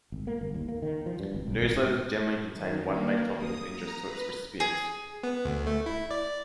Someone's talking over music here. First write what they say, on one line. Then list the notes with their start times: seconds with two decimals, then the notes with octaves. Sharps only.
Newsletters generally contain one main topic of interest to its recipients.
0.12 G#1
0.27 A#3
0.41 G1
0.54 D#2
0.68 A#3
0.82 D#3
1.06 F3
1.20 G2
1.34 G#1
1.47 B1
1.60 G#1
1.75 G#2
2.54 D#3
2.86 A#3
3.37 D#6
3.71 A#5
4.02 B4
4.60 G#4
5.24 B3
5.45 D2
5.67 A3
5.86 E4
6.11 D5